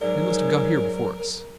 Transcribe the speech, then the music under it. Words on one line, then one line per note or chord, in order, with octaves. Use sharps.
"They must have got here before us."
G#2 F#3 A#4 D5